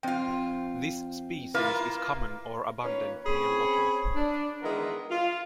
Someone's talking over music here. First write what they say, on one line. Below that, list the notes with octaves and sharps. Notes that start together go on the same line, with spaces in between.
This species is common or abundant near water.
F2 C4 F4 G5
A#3 E4 F4 A#4 B4 F5
D#3 A#3 C#4 F4 B4 C#5
C4 C#4 G#4 C#5 B5
D4
D#3 E3 G#3 B3 E4 A#4
F4